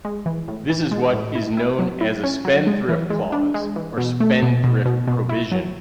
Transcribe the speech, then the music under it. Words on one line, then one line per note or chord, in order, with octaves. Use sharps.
This is what is known as a spendthrift clause or spendthrift provision.
G#3
E3
A2
E3
G#3
A2
E4
E4
F#3
E4
C#4
F#3
G#3
E3
G#3
D4
G#3
E3
B2
A3
B2
B2
B2
B2
E4
F#3